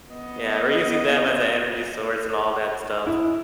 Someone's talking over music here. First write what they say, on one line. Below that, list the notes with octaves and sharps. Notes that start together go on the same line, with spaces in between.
Yeah, we're using them as an energy source and all that stuff,
B3 D#5
E4